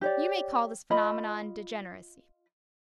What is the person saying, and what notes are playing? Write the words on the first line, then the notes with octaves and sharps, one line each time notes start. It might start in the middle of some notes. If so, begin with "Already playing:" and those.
You may call this phenomenon degeneracy.
G4 C#5 D5
F4 D#5 B5